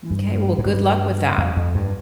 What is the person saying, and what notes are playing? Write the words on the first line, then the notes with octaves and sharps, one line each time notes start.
M'kay. Well, good luck with that.
G2
A2
G2
F2
F2
G2